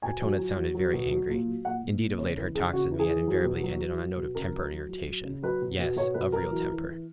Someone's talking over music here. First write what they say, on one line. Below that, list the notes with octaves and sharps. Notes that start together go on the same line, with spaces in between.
Her tone had sounded very angry. Indeed, of late her talks with me had invariably ended on a note of temper and irritation--yes, of real temper.
B2 G#5
F#3
F#3
F#3
F#3
B2
F#3
A#2
F#3
A#2 F#5
A#2
A#2
C#3 C#5
E3 B4
C#3 G#4
C#3 F#4
E3
G#4
E3
F#3
B2
F#3
F#3
F#3
B2
C#3 A#4
F#3
F#3
F#3
F#3
C#3
F#3 B4
B2
B2
B2 C#5
B2 B4
F#3 A#4
E3
E3
E3